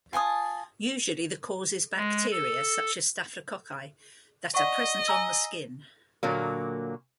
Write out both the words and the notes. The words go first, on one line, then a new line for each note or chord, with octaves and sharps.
Usually, the cause is bacteria such as staphylococci that are present on the skin.
F4 G#5 A5 D#6
G#3
A4
D5 D#5 F#5 C#6
G#5 A#5 E6
A#2 D3 F#3 A#3